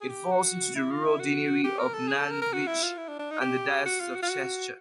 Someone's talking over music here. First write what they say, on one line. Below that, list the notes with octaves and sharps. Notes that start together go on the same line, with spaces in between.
It falls into the rural deanery of Nantwich and the diocese of Chester.
G#4
G4
F#4
E4
F4
E4
F#4
G4
A#4
A4
G#4
A4
A#4
A#4
F#4
E4
F4
E4
D4
D4
D#4
G4
F#4
F4
F#4
F4
F#4